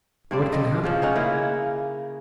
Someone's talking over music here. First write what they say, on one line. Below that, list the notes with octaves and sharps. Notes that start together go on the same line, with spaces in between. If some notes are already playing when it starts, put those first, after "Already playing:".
"What can happen?"
G2 C4 D5
D#5
C#3 F3
C#4 D#4 F#5
C#3 A#3 E4